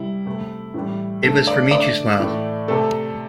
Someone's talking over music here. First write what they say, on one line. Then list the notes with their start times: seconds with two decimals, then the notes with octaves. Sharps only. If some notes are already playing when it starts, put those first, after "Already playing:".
It was for me to smile.
Already playing: C3 G3 E4
0.26 C3 A3
0.74 A2 E3 G3
1.23 D3 A3 A4
1.47 D5
1.71 D3 A3 D5
2.20 A2 E3 A3
2.68 C3 A3 A4